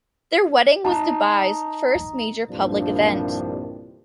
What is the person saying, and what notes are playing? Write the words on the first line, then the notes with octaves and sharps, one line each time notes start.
Their wedding was Dubai's first major public event.
D#4 A5 A#5
C2 G2 A#2 D#3 F3 D4